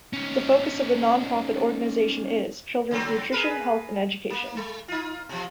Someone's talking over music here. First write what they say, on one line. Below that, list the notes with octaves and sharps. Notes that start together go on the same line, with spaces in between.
The focus of the nonprofit organization is: children's nutrition, health and education.
C#4 D#4
C#3 F#3 C4
G#4 A#4 B4
A#3
G#3
D#4 F4
B2 F3